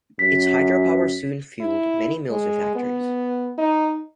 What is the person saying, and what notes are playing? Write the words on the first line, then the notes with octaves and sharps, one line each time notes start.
Its hydropower soon fueled many mills and factories.
F#2 B6
E4
G#3
B3
D#4